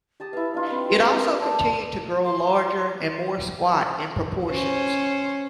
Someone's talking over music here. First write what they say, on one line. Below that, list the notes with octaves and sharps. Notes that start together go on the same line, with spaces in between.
It also continued to grow larger and more squat in proportions.
G4 A5 D#6
E4 B4 F5
D4 D#4 F4 F5
C4 B4 C6
A#4
D5 A5
C6
C#4 C5 C#5